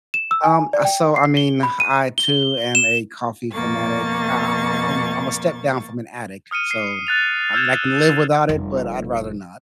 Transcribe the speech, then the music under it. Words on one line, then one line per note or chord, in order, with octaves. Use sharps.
Um, I so, I mean, I too am a coffee fanatic. I I'm I'm a step down from an addict, so, I mean, I can live without it, but I'd rather not,
E7
E6
G#5
D5
G5
C7
G7
B5
D#7
G7
E7
F2 B2 A#3 C#6 A6
D#6 F6 C#7 D#7
C7
F#6 A6 F7
E6 F6 G6 G#6 E7
F1 G3